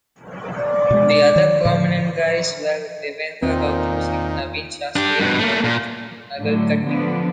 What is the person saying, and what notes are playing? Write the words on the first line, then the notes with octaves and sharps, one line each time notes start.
The other prominent guys were Devendra Gautam Singh, Naveen Shastri and Rohit Nagarkatti.
D5
B2 G#3
D#3
A2 D3
E2 A#2 D#3 C4
D4 G4
G2 B2
A3 A#3
A#2
A2 D3 F#3
D3 F3 B3 D4